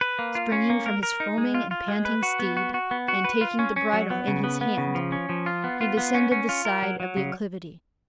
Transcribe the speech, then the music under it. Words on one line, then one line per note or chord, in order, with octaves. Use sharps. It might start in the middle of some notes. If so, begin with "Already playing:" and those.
Springing from his foaming and panting steed, and taking the bridle in his hand, he descended the side of the acclivity.
B4
A#3
F4
C#4
A#3
A#4
A#4
D#4
G#3
F4
F4
G#3
B4
F#4
B3
F#4
F#4
B3
F#4
B4
F4
C#4
C#4
F#3
B3
C#3
B3
B3
C#3
F3
C#4
F3
F4
B3
F4
B3
C#4
C#4
F4
A#4
F#3
F#3
C#3